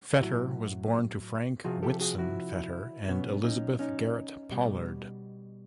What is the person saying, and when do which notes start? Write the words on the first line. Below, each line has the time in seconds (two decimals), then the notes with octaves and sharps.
Fetter was born to Frank Whitson Fetter and Elizabeth Garrett Pollard.
0.21 A2 F#3 E4 F#4
1.64 C3 F3 F#4 G#4
1.83 G4 A4
2.00 F#4 G#4
2.18 E4 F#4
3.08 B2 F#3 B3 C#4
3.44 C#4 D#4
3.79 C#4 D#4
4.51 B2 G3